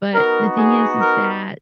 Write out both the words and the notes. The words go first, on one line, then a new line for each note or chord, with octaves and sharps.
but the thing is is that
B3 D#4 F#4 A#4
G#4
A#4